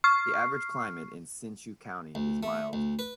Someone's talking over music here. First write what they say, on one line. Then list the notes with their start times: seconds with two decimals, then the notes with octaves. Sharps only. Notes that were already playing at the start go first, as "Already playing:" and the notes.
The average climate in Hsinchu County is mild.
0.04 C#6 F6 C7
2.15 D2
2.43 A3
2.73 D2
2.99 B4